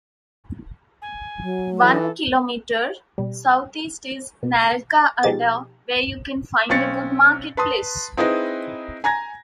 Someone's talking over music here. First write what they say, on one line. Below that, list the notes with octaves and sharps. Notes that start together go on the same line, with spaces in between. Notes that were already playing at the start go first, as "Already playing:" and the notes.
One kilometer south east is Nalka Adda where you can find a good marketplace.
G#5
F#3
E3 A4
B2 G3
B2
B2 F3 D#4 G4 G#4 A6
B1 C4 C#4 A6 C#7
B4 A5 C6 D#6
C4 D#4 E4 G#4 B4 D#5
G#5 A#5 G#6 A#6